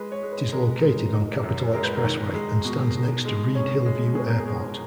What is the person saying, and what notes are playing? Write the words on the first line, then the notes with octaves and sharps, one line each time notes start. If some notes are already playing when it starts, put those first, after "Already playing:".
It is located on Capitol Expressway and stands next to Reid-Hillview Airport.
Already playing: G#3 B4
C#5
G#3
B4
G#3 A#4
G#3
D#4
F#2
G#3 A#4
B4
A#4
D#3
G#3
B2
B2
G#3
C#4
G#3
B2 G#4
A#4
G#4
G#3